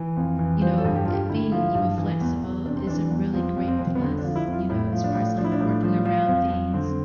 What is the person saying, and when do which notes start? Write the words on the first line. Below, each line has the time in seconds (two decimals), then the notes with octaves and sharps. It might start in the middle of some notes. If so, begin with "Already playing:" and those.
you know, i being even flexible is a really great plus, you know, as far as, like, working around things.
Already playing: E3
0.16 F2
0.39 E3
0.62 F3 C5
0.78 A4
0.84 G2
0.96 G4
1.05 G2 F4
1.13 G4
1.29 D3 E4
1.52 F3
1.75 G2
1.98 E3
2.20 E2
2.43 E2
2.66 C3 D4
2.76 C4
2.87 E3 D4
3.11 E2
3.34 F3 C4
3.56 F2
3.68 C4
3.79 F2
3.95 B3
4.02 D3 C4
4.19 D4
4.24 F3
4.36 E4
4.47 F2 F4
4.70 A2 E4
4.92 F3
5.04 D4
5.15 A2
5.38 F3 D4
5.45 E4
5.52 D4
5.60 A2
5.83 F3
6.05 F3
6.28 F2
6.51 F2
6.74 D3 C4